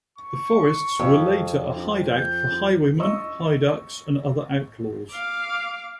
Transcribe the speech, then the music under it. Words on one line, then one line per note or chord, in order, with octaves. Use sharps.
The forests were later a hideout for highwaymen, haiducs and other outlaws.
C#6
F2
G6
D#5 C#6 E6
F5 D6